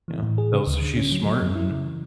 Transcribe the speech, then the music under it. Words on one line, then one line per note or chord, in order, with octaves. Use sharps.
Yeah, that was she's smart and
E3
A2
G#4
C#3
D2
D3
C#4
F#3
F#3
F#2
E4
C#3
E3